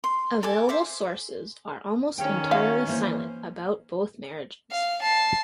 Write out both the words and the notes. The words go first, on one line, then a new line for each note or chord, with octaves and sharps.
Available sources are almost entirely silent about both marriages.
C6
A4 G#5 D6
C5 E5 D6
D#3 C#4 G4 F5 G5
F#4 E5 F5
E3 A#3 C5
F5
A5 C7